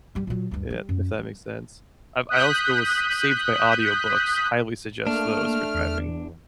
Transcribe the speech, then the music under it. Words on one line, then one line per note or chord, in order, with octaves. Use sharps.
yeah, if that makes sense. I've I also was saved by audiobooks. Highly suggest those for driving.
G2 G3
A#2 F#3
D2 G2
G3
F#2
G3
D#6 F#6 G6 B6
A3 A#3 D4 F6
E2